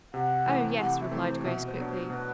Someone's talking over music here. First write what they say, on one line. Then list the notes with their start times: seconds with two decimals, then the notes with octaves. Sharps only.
"Oh, yes," replied Grace quickly.
0.13 C3 F#5
0.46 E3 A3 C4
0.79 C3 F#5
1.01 E5
1.11 E3 A3 C4
1.22 C5
1.44 B2 E5
1.66 C5
1.77 F#3 B3 D4
1.88 C5
2.10 B2 B4 C5